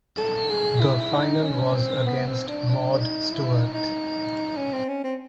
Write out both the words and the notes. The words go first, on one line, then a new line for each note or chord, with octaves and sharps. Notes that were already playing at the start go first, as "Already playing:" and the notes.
The final was against Maud Stuart.
A4
G#4
E4
D#4
C#4
C4
B3
C4
D4
D4
D#4
E4
D#4
D#4
C#4
C4
C#4
C4